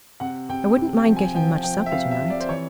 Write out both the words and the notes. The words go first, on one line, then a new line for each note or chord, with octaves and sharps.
I wouldn't mind getting much supper tonight.
C3 F#5
C3 G5
C3
G5
F3
G#5
F3 G5
F3 G5
E5
C3 F5
E5
C3
D5
C5
E3 C#5